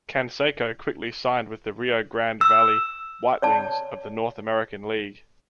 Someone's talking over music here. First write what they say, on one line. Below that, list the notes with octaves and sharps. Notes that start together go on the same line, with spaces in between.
Canseco quickly signed with the Rio Grande Valley WhiteWings of the North American League.
E6
C#5 D5 A5